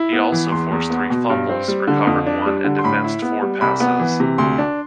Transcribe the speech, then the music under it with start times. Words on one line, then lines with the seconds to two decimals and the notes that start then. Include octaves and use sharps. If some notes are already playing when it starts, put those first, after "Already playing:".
He also forced three fumbles, recovered one and defensed four passes.
Already playing: E4
0.13 B3
0.32 E3
0.52 E2 C6
0.71 E2
0.90 B3
1.10 B2
1.30 G2
1.49 C4
1.68 G3
1.87 D3
2.07 F2
2.26 D4
2.46 G3
2.64 D3
2.79 C6
2.84 A2 B5
3.04 E4
3.22 B3
3.42 G3
3.61 C2 B5
3.80 B3
4.00 E3
4.20 C3
4.38 D2 C6
4.58 D4